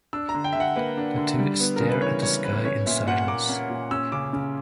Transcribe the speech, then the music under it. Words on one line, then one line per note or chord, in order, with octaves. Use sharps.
The two stare at the sky in silence.
D4 E6
A#5
D3
G5
E5
D3 F#5
A#3 B4
D4
D3
G3
B3
C#3 A#4
B4
E3 C#5
G3 C#5
B3 B4
C#4 C#5
A#2 E5
A#2 F#5
A#3 D6
C#4
A#2
C#4 E6
C#3 D6
C#3